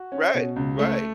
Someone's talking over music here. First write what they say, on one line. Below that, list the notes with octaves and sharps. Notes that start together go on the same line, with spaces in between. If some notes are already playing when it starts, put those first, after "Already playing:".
Right. Right.
Already playing: F#4
C#4
B2
C#2
A3